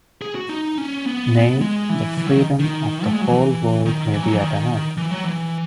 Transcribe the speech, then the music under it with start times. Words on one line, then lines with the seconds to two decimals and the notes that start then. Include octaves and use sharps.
Nay, the freedom of the whole world may be at an end!
0.22 G#4
0.35 F#4
0.49 D#4
0.78 C#4
1.06 B3
1.61 G#3
1.90 E3
2.18 E3
2.27 F#3
2.36 D#3
2.59 D#3
3.05 A3
3.13 G#3
3.21 F#3
3.29 E3
3.86 D#3
4.13 E3
4.23 F#3
4.32 E3
4.41 D#3
4.98 E3
5.11 F#3
5.25 E3